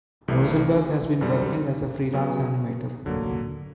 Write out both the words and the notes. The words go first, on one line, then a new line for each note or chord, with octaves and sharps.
Rosenberg has been working as a freelance animator.
C2 C3 E3 A3
F#2 D3 G3
C#3 F#3 B3
D3 F#3 A#3